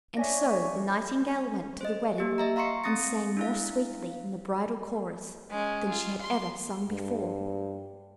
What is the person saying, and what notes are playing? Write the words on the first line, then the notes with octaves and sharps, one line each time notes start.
And so the Nightingale went to the wedding and sang more sweetly in the bridal chorus than she had ever sung before.
D4 C#5 E5 G#5 A#6
C5 D#5
A#3 G4
D#5 E5 A#5
F5 A#5 C6 C#6 C#7
C4 D#6 A6 A#6 C#7
D4 E4 F5
G#3 C#4
F4
C6
G2